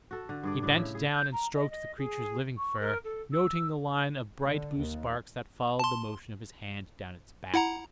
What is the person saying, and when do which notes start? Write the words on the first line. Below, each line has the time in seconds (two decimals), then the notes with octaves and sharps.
He bent down and stroked the creature's living fur, noting the line of bright blue sparks that followed the motion of his hand down its back.
0.11 F#4 A4
0.29 D3
0.43 G2 G#4 D5
0.63 A2 D4
0.77 C#3 E4
0.95 G#4
1.14 G6
1.32 A#5
1.54 D#5
1.70 D#5
1.98 G#4
2.57 C#6
2.80 A#4
3.04 A4
3.33 E6
4.45 D3
4.78 D#2
5.79 A5 C6
7.54 E4 F#5 A#5